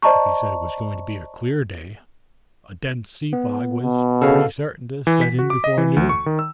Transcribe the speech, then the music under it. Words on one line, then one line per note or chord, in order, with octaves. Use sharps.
If he said it was going to be a clear day, a dense sea-fog was pretty certain to set in before noon.
C5 D5 D#5 A5 A#5 C#6
B3
B2
C#3 A4 F5
E3
B6
F#4
D6
D#5
E3
D2
C#6
D#3
E6